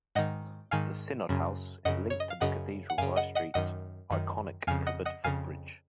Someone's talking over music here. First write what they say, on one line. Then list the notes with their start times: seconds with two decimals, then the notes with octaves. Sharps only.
The synod house is linked to the cathedral by Street's iconic covered footbridge.
0.15 G#2 D#3 D#5 F#5
0.71 G#2 D#3 F5 G#5
1.29 F#2 C#3
1.85 F#2 C#3 D#5 F#5
2.10 C#5
2.20 D#5
2.30 F5
2.41 F#2 C#3 D#5 F#5
2.90 F#5
2.98 F#2 C#3 F5 G#5
3.16 D#5 F#5
3.35 D#5 F#5
3.54 F#2 D#3 D#5 F#5
4.11 F#2 D#3
4.67 F2 C#3 F5 G#5
4.87 D#5 F#5
5.05 D#5 F#5
5.24 F2 C#3 F5 G#5